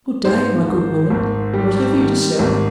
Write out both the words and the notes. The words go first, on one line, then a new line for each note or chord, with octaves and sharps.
"Good-day, my good woman, what have you to sell?"
G#2 C5
G#1
G#1
G3
D#3
G#1